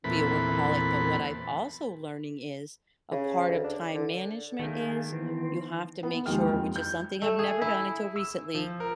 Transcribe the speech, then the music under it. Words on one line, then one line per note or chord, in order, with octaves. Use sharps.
be a workaholic, but what I've also learning is a part of time management is you have to make sure, which is something I've never done until recently,
E2 A#2 A3 C4 B4 B5
C#3
D2
D4
D3
D#3 A3 A#3 G#4
E3 B3 C4
B3
D#2 F3 G#3 G5 F6
F2
G6
A3
G#4
E4
E6
F3
A#4